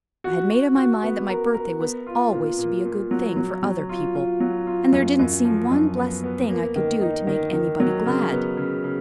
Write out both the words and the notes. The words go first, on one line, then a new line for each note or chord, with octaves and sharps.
I had made up my mind that my birthday was always to be a good thing for other people, and there didn't seem one blessed thing I could do to make anybody glad.
F#4
F#4
F#4
B3
A#4
A#4
B3
F4
A#2
A#2
A#2
F#3
F#3
F#3
F4
F4
F#3
F4
F#2
F#2
F3
F#2
B3
B3
A#3
D#3
D#4
D#3
D#3
F#3
C#3
B3
C#3
C#3